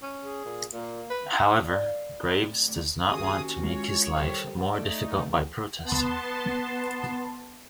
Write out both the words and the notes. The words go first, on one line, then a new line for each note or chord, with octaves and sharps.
However, Graves does not want to make his life more difficult by protesting.
C#4
G#4
A#2
A#2 A#3
B4
A#4
D5
F5
C4
A2
D2
D#2 C#4 F#4 G#4 D#6
G#3 F4 C#5
D#2 G3 C4 A4 C5
A3 D#4 A4 D5
E2
B3 A5 C6